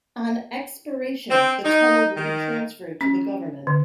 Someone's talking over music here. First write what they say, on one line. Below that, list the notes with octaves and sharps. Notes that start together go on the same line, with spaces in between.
On expiration, the tunnel will be transferred to the Government.
C4
D#4
D#3
C#4
D3